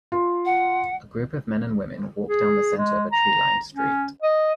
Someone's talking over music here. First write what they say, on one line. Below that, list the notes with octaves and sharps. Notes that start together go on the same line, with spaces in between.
A group of men and women walk down the center of a treelined street.
F4
F#5
G#4
G#3
A#5
C#4
D#5